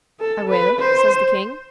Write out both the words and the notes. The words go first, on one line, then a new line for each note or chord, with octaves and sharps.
"I will," says the king.
A4
B4
C5